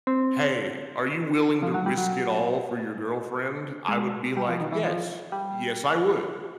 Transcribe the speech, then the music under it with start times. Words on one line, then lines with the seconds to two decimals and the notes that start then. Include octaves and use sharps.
"Hey, are you willing to risk it all for your girlfriend." I would be like, "Yes, yes, I would.
0.07 C4
1.62 F3
1.74 F#3
1.86 G3
1.98 F#3
3.88 G#3
4.37 G3
4.48 F3
4.61 D#3
4.72 E3
4.85 F3
5.32 G3